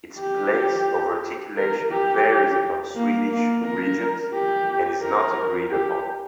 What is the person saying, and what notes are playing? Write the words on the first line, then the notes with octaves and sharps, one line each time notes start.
Its place of articulation varies over Swedish regions and is not agreed upon.
G4
A#4
G4
A#3
A#3
A#4
G4
A#4
G4